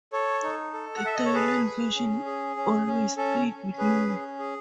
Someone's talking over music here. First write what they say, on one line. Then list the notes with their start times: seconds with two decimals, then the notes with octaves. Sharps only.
The Dylan version always stayed with me.
0.13 A4 C#5
0.43 D#4
0.74 A4
0.97 F#5
1.04 A4 E5
1.15 D#5
1.25 C#5
1.34 G#4 B4
1.65 G#4
1.95 C#4
2.26 G#4
2.56 C#4
2.87 C#4
3.17 C#4 A4
3.48 C#4
3.78 G#4 B4
4.09 C#4
4.39 G#4